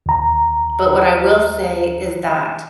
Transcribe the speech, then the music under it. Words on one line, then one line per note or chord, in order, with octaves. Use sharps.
But what I will say is that,
D#2 A#5